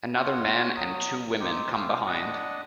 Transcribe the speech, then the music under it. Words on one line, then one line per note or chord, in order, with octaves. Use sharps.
Another man and two women come behind.
F4 C#5 F#5
F#3 D#6
C4 D#4 G4
G4 C5 E5 F5
D4 D#5 F#5